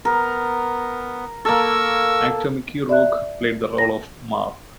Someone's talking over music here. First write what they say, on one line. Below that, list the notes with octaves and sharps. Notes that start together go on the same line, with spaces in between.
Actor Mickey Rourke played the role of Marv.
B3 A#4
A#3 A4 A#4 C#6 E6
D5 E5 F#6
A#6